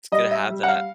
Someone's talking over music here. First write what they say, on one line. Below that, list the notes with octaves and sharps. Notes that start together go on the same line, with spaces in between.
It's good to have that.
G3 D#5
E5
G3
F#5
F5